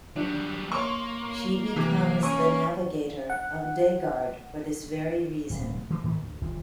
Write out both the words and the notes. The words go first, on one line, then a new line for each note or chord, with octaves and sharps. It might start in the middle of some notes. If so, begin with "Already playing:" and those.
She becomes the navigator of Dai-Guard for this very reason.
F#3 G3 D4
A#3 C#5 C6 C#6
C3 E3
C#4 C#6 D#7
F#5
D1 C2 B2
E3 A3 A#3 C4
G#2 D#3 A3 B3
D2
D#1 C2 F3